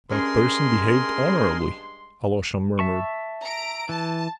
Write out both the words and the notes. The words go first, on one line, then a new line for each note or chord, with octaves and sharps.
"That person behaved honorably," Alyosha murmured.
G2 G#3 C#4 G#4 A#4 C6
E5 A5 C#6
A#5 D7
E3 A5